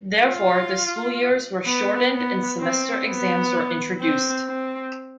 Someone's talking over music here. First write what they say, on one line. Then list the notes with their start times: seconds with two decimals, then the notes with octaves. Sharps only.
Therefore, the school years were shortened and semester exams were introduced.
0.24 F4
1.66 B3
2.12 B3
2.59 C4
3.06 B3
4.01 C4
4.47 C4